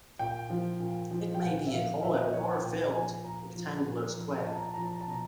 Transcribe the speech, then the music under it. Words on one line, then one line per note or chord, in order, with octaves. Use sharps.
It may be a hollow or filled rectangle or square.
A#2 G5
F3
A#2
F3
G5
A#2 F#5
E5
F3 F5
A#2 E5
D#5
F3 C#5
F#5
A#2 G5
F3 G#5
A#2 A#5
F3
A#2
F3
A#2 A5
A#5
A5
F3 A#5
A5
A#5
A5
B2 A#5